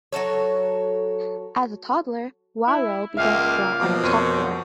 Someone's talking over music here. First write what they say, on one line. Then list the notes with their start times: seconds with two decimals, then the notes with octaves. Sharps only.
As a toddler, Wawro began to draw on a chalkboard.
0.13 F#3 F#4 A4 C#5
2.67 E4
3.17 C#2 A#2 E5 F5
3.80 B2 F3 A#3 D6
4.03 F2 A#4 C5 C#5 D#7